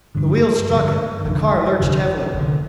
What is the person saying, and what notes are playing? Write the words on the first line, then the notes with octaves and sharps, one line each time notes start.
The wheels struck it, and the car lurched heavily....
G2 D3 F3
G2 D3 F3
F1 F2 D3
F1 F2 D3
F1 F2 D3